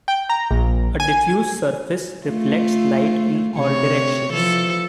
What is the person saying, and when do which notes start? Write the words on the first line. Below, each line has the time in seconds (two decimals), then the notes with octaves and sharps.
A diffuse surface reflects light in all directions.
0.08 G5
0.29 A#5
0.51 A#1
1.00 G#5
2.26 A3 F4
3.55 C3 C#5
4.33 E3 F3 A4